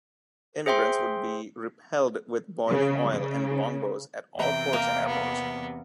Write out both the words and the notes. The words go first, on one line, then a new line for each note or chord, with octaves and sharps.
Immigrants would be repelled with boiling oil and longbows at all ports and airports.
G#4 C5 E5 G5 C6
C#3
C#3
E2 C3 B4 E5 G5 A#5
A#3
B3